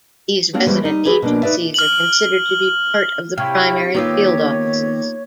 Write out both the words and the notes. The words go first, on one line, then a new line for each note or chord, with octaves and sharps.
These resident agencies are considered to be part of the primary field offices.
A#3 C4 D4 G4
D3 E3 G3 A3 C4
G3 D#4
G4 G#4 B4
B2 A#3 D4
D#4 B4 D5 E5
F6 F#7
C3 E4 C#5 F5 G5
D#3 A#3 B3 D#4 F4 G4 C#5 E6